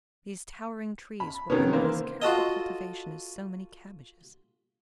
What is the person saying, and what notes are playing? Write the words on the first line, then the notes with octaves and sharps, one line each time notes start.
These towering trees were under as careful cultivation as so many cabbages.
B5
C3 D#3 B3 C#4
E3 A#3 C5
F4 F#4 A4 D#5